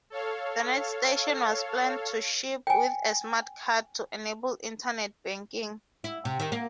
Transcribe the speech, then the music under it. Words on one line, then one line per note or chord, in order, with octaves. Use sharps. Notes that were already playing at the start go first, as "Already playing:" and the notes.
The NetStation was planned to ship with a smart card to enable internet banking.
A4 C#5 F5
G5 G#5
E4
C3
D#3
A#3